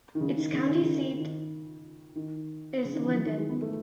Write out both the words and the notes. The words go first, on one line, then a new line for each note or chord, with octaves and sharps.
Its county seat is Linden.
D#3
C#3
D#3
C#3
D#3
C#3
D#3
D#3
D#3
D#3
C#3
D#3
E3
F#3
D#3
G#3
B3
A3